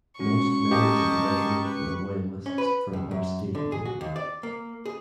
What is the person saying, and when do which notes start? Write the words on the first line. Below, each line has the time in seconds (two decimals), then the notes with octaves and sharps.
Most members of the regiment were Loyalists from upstate New York.
0.19 G#3 C#4 F#4 C#6
0.71 G4 A#4 D#5 A5
1.65 B4
2.46 C#4
2.58 B4
2.93 C#2
3.11 F#2
3.55 D3
3.72 G#4
3.85 F#4
4.01 D#2
4.16 D5
4.43 A#3
4.85 G#4